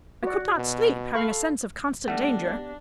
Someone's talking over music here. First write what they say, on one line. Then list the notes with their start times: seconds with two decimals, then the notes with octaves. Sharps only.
I could not sleep, having a sense of constant danger . . . .
0.23 F#4 D5
0.58 B2
1.15 A4 F5 B5 C#6
2.08 G3 A3 B3 D4 G4 F#5 A#6